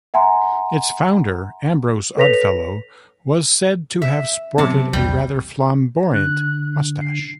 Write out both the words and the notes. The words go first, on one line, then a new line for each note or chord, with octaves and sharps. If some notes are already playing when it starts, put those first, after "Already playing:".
Its founder, Ambrose Oddfellow, was said to have sported a rather flamboyant moustache.
E5 F#5 G#5 A#5 C6
A4 B4 C#5 A#6 B6 F7
E5
C3 F#3 B3 C4 A5
B1 E2 G3
D3 F#6
C7